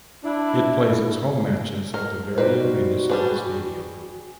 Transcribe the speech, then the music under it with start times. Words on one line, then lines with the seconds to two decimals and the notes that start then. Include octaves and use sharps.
It plays its home matches at the Veria Municipal Stadium.
0.24 D4 E4
1.94 A#4
2.38 G3 D#4 F#4 B4 C5
3.10 G3 D4 G#4 B4